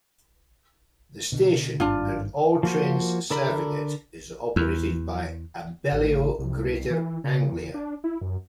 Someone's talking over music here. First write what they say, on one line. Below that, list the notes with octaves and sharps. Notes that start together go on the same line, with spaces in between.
The station, and all trains serving it, is operated by Abellio Greater Anglia.
B2 D3
G#1 G2 D4 F4
F3 A#3 F#4 C5
D3 A4 A#4 D5 B5
E2
A1
C2
E3
C#3
E2
D4
E4
F#2